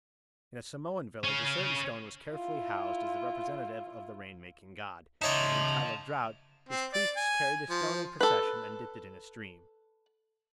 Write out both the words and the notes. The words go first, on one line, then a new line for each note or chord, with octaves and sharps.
In a Samoan village a certain stone was carefully housed as the representative of the rain-making god, and in time of drought his priests carried the stone in procession and dipped it in a stream.
C#4 F5
E4 F4
C#3 D#4 C#5 D5 E5 A5 C6
C4
D5
G#5
F3
A4 B4